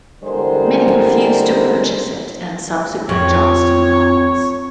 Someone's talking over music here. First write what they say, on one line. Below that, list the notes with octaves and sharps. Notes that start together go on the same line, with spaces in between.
Many refused to purchase it and subsequent Johnston novels.
E2 D3 G3 G#3 A#4 C5
F2 C#5